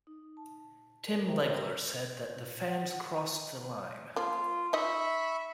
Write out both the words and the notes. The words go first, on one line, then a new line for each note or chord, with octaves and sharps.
Tim Legler said that "the fans crossed the line".
D#4
A5
A4 A#4 D5
G4 A#4 C5 E5 G5 A#5
C5 D#5 E5
F#5
F3 A#3 F4
D#4 D#5 E5 B5 C#6